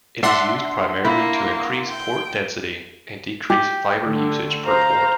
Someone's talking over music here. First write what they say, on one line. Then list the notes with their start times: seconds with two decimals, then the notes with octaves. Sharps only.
It is used primarily to increase port density and decrease fiber usage per port.
0.23 D4 E5 F#5 C6
1.05 A#3 E4
1.89 G5
3.50 G4
4.03 D3 A3
4.65 C5 F5 A#5